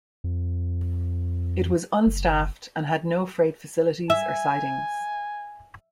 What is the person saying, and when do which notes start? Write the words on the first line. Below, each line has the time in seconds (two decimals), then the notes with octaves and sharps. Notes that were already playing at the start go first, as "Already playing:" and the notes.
It was unstaffed and had no freight facilities or sidings.
0.24 F2
2.06 F#1
4.10 E5 G#5